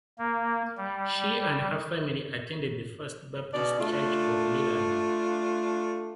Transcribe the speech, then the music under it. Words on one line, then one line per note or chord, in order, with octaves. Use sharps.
She and her family attended the First Baptist Church of Leland.
A#3
G3
B2 C#4 D#4 D5
A3 D4 F4